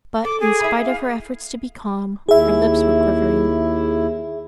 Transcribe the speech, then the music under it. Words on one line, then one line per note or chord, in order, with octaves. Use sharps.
But, in spite of her efforts to be calm, her lips were quivering.
A4 D6
G#4
E4 E5
F5
D#2 E4 G#4 E5